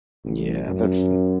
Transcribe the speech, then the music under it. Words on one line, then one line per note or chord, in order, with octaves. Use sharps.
Yeah, that's n
A1
F#2